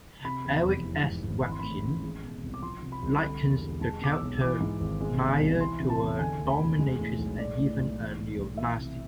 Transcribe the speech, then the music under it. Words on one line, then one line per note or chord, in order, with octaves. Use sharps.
Eric S. Rabkin likens the character Nyah to a dominatrix and even a neo-nazi.
C3 B5
E2
F1
E3
G#2
G#1
E3 B5
C6
A2 B5
A1
G#3
B2
C2
D6
F3 C6
C3
B5
C2
D3 B5
E2
E1
G#3 A5
B2 D6
E6
B1
E3 D6
G#2
G#1
G#3
B2
C2
E3 C6
C3
A5
E2
D3 G#5
D2
B5
E1
G#3
A2
B1
G#3 D5
A2
B1
E3
A2
B1
E3 E5
C3